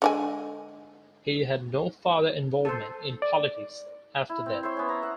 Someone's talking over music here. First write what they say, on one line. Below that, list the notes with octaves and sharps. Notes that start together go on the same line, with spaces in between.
He had no further involvement in politics after that.
D3 G#3 G#5
A4 C5
D5
E4
C4
C5 C#5 E5 C6
B3 C#4
A#5
E5 F#5